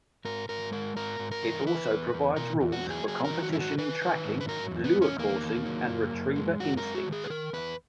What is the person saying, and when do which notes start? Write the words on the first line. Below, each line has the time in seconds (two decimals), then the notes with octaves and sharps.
It also provides rules for competition in tracking, lure coursing, and retriever instinct.
0.25 G#2 A#4
0.49 G#2 A#4
0.72 G#3 A#4
0.96 G#2 A#4
1.19 G#2
1.32 A#4
1.42 E3
1.66 E2 B4
1.90 E2
2.14 E2
2.36 B2 A#4
2.61 E2
2.72 F#4
2.84 F#3
2.90 G#4
3.08 F#3 G#4
3.24 A#4
3.30 D#3
3.43 F#4
3.52 G#2 E4
3.60 F#4
3.78 D#3 B4
4.01 D#3
4.25 G#2
4.41 B4
4.49 F#3 A#4
4.71 E2
4.84 B3
4.96 E2
5.02 C#4
5.18 E2 A#3
5.42 D#3
5.66 F#3
5.89 F#2
6.13 F#2
6.36 G#3
6.60 F#2 F#4
6.77 A#4
6.83 G#3
6.95 F#4
7.06 D#3
7.12 G#4
7.24 B4
7.30 D#3 A#4
7.53 E2 B4